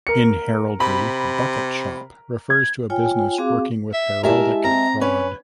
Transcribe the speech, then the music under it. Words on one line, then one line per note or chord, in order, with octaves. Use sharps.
In heraldry, bucket shop refers to a business working with heraldic fraud.
A#4 C#7
C3 B5
G#6
F4 C#5 G5 G#5
C4 F#4 G#4 F5 D6
E5
G#3 E4 G4 A#4 E5 A5
C4 A#5
C#4 B4